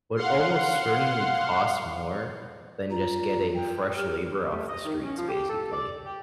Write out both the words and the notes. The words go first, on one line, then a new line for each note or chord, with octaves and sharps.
would almost certainly cost more than just getting fresh labor off the streets, basically.
F5 F#5 C6
F4 A#5
G5
G4 F6
A3
D#5
D#3
C#4
F3
G4
A4
D5
G4